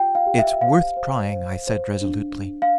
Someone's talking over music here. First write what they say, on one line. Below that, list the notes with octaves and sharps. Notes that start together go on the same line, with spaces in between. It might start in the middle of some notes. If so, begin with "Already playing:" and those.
"It's worth trying!" I said resolutely.
Already playing: F4 G4 G5
F5
G4
E5
C5 F5
C5
C5
C5
D4
D4
F5